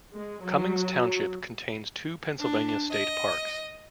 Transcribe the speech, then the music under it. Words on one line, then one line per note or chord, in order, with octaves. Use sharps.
Cummings Township contains two Pennsylvania state parks.
G#3
F#3
D4
D#5